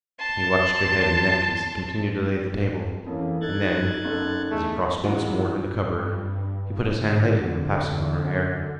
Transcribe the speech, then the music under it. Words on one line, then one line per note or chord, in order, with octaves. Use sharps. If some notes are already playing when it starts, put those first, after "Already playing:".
He watched her head and neck as he continued to lay the table, and then, as he crossed once more to the cupboard, he put his hand lightly in passing on her hair.
A5 C6
F2 E3 A#3 C#4
D#4 A4 F#6 G#6 A6
F#1 A4
A3 G#4
A#2 D#3 E3 F#3 G#3 C4
G2
D3